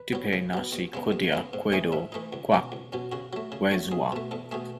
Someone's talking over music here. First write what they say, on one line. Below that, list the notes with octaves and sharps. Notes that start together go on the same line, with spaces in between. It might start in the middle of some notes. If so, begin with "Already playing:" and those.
Tipei nhasi kudya kwedu kwakwezuva.
Already playing: B4
F#3 B3
C#3
F#3 B3
D#2
C#3 G#3 B3
D#2
C#3 G#3 B3
G#2
E3 A3 D#4 G#5
G#2 E5
E3 A3 D#4
C#2
B2 F#3 C#4
C#2
B2 F#3 C#4
C#3 F#4
F#3 A3
C#3
F#3 A3
E2 G#4
B2 A3
E2 A4
B2 A3 G#4